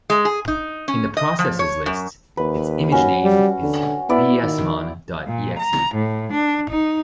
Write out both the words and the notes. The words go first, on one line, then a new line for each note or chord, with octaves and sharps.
In the processes list its Image Name is "vsmon dot exe".
G#3
G#4
D#4
C#4
D#5
F3
C#5
F#2
D#2 B4
C#4 F#4
G3
D3
B3 E4 D5
D#3
A#2
A#5
A2
D4
D#4